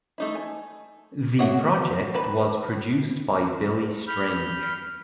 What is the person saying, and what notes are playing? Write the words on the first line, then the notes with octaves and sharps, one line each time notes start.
The project was produced by Billy Strange.
A3 D#4 E4
G#5
F#4 G#4 C#5 E5 F#5
D#3 B4 A5 B5
B5 F6 G6